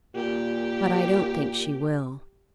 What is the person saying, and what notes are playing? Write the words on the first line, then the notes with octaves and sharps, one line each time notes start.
"But I don't think she will."
A#2 G4